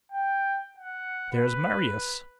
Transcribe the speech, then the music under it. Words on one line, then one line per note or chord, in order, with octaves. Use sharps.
"There's Marius."
G5
F#5
B4